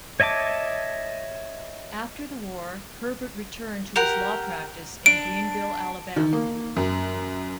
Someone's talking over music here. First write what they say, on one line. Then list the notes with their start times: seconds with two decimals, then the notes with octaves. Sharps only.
After the war, Herbert returned to his law practice in Greenville, Alabama.
0.20 C#5 D#5 E5 A5 D6
3.96 G4 A#4 F#5
5.06 D4 D7
6.16 D#3
6.33 A#3
6.77 F#2